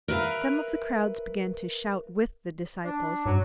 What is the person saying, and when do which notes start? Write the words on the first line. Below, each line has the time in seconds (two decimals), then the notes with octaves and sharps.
Some of the crowds began to shout with the disciples.
0.08 A#4 B4 E5 F5
2.84 D4
3.26 G2 F#3